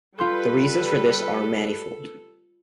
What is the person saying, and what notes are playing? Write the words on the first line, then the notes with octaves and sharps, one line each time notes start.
The reasons for this are manifold.
G3 F4 A4 B4 C6 G6